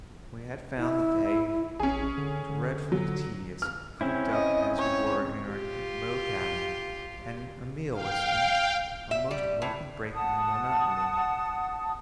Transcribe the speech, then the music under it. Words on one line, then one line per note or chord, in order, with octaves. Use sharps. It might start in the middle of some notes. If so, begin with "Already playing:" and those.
We had found the day dreadfully tedious, cooped up as we were in our low cabin, and a meal was a most welcome break in the monotony.
E4
A1 C#4 G#4
D3
D3
F#3
F6
C4 C#4 E4
D#5
C#5
F4 G4
F5 G5
E5
G3
A2
F#5 A5 D#6